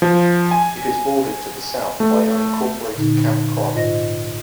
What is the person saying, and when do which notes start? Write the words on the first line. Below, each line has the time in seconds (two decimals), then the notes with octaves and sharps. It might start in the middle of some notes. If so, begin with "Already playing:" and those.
It is bordered to the south by unincorporated Camp Croft.
0.02 F3
0.51 G#5
2.00 A3
2.95 A#2 D3 D#4
3.74 G#2 F4 C5 D#5 A#6